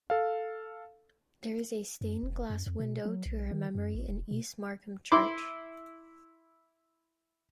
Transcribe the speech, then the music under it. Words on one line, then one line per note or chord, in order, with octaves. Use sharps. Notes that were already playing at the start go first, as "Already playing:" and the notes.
There is a stained glass window to her memory in East Markham Church.
A4 F5
F#2
F1
F#2
F2
B2
F#3
B1
D#3
F#2
A1
E1
B2
E4 B5 C6 D6